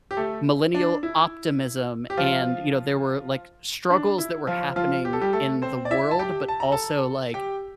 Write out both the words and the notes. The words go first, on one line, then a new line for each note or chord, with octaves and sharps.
millennial optimism, and, you know, there were, like, struggles that were happening in the world, but also, like,
G4
A3 A4
D4
E4
G4
F3 F4
D4
E4
F3 F4
F3 F4
G4
A4
G3 G4
A3 A4
C4 C5
D5
E4 E5
A5
G4 G5
A5
A#5
A4 A5
G4 G5